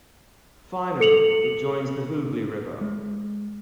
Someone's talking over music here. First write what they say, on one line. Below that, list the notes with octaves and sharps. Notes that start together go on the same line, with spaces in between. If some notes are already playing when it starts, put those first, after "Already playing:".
Finally, it joins the Hoogli River.
A4 C#7 F7 F#7
G#3